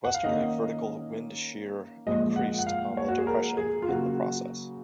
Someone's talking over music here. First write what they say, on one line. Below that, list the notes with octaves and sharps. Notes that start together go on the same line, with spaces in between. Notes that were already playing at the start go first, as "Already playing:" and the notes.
Westerly vertical wind shear increased on the depression in the process.
F#5
F5
D#3 A#3 C#4 D#5
A#2 F3 G#3 D#5
F#5
F#5
F5
C#5
F#4
G#4
A#4
G#4
F4
C#3 F#3 A#3 F#4